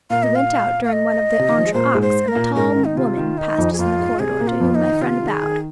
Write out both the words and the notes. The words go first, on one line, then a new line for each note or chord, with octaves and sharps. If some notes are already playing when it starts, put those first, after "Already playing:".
We went out during one of the entr'actes, and a tall woman passed us in the corridor, to whom my friend bowed.
A#2 A#3 F5
D#5
F5
F5
D#5
C3
D#3
F3
G#3
A#2 A#3 C5
G#2 G#3
C5
A#4
A#2 A#3
G#2 G#3 A#4
D#3
D#4
C3 F4
D#3
D#3 D#4
F2 F3
G#4
F2 F3 F4
G#2 G#3
C3 C4 G#4
A#2 A#3
F4
F2 F3
D#4
D#3
D#3
C3 F4
D#3
G#4
D#3